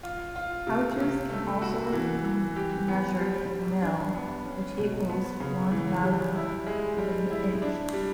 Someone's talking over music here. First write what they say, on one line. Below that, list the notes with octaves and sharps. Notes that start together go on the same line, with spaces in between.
Pouches can also measured in mil, which equals one thousandth of an inch.
F4
F4
C3
C3
A3
F#4
E3
E3
G4
B3
G3
G3
D4
B3
C#4
B2
B3
C#3
E3
G3
E4
G#3
G3
E4
D4
G3